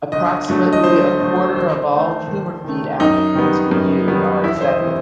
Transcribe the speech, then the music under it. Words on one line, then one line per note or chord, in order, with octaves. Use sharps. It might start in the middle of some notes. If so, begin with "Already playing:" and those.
Approximately a quarter of all HumorFeed applicants reviewed are accepted.
G1 D#5
G2 F#3 A3
D#5
G1 C5
G2 F#3 A3
D#2 C5
D#3 A3
D#2
D#3 A3
F#2 D#4
D#3 G3 B3
F#2
D#3 G3 B3
E1 E4
C5
D#5
C3 E3